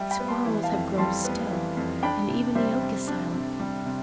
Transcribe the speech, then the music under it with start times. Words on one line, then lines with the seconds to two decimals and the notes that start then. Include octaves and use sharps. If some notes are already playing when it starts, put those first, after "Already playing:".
The squirrels have grown still, and even the oak is silent.
Already playing: G3 E5 G5
0.11 G5 B5
0.20 B3
0.28 A5 C6
0.46 E3
0.63 F5 A5
0.72 F2
0.98 G3 A5 C6
1.25 B3
1.51 E3
1.77 F2
2.03 D4 G5 B5
2.30 C3
2.55 G3 C5 E5
2.82 C3
3.07 D4
3.34 C3
3.60 G3
3.86 C3